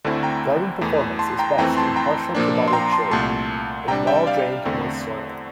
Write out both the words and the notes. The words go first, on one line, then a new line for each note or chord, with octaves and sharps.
Garden performance is best in partial to moderate shade, in well-drained moist soil.
D2 D3 A3 C4 E4
G5 A#5
E2 E3 A3
A5 C6
G5 A#5
F2 E3 A3 C4 G5 A#5
A5 C6
G5 A#5
A#2 F3 A#3 D4
C6
G5 A#5
A5 C6
C2 A#2 A3 A5 C6
C3 G3 D4 G5 A#5
E5 G5
D5 F5
E2 D3 A3 C4